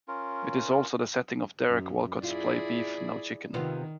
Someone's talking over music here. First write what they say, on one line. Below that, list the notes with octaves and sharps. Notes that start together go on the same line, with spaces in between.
It is also the setting of Derek Walcott's play Beef, No Chicken.
C#4 F4 A#4
F#2
E4 F4 G#4 D5
C3 D#3 B3 F4